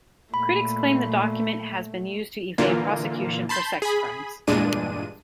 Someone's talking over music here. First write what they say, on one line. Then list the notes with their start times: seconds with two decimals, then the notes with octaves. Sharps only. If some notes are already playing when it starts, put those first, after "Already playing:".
Critics claim the document has been used to evade prosecution for sex crimes.
0.34 A#2 A3 B5
2.58 A#2 D3 E3 A#3 F4
3.49 A5 B5 C6 G6
3.82 G#4 B5
4.47 E2 G2 A#2 G#3 D4 D#7